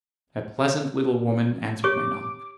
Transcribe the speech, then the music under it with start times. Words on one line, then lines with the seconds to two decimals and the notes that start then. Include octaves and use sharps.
A pleasant little woman answered my knock.
1.84 G4 C#5 D6